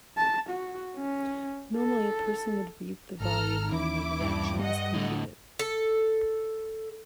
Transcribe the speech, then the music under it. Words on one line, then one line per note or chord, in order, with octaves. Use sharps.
Normally a person would read the volume when the reaction is completed.
A5
F#4
C#4
A4
G#1 G#2 A4 A#5 F6
D#2 E3 C#4 E4 D6
G2
G3 D#5 F#5
A2 D3
A4